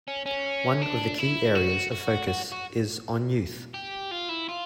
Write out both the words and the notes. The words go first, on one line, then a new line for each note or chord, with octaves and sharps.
One of the key areas of focus is on youth.
C#4
C#4
D4
E4
F#4
F#4
F#4
F#4
G4
F4
E4
F4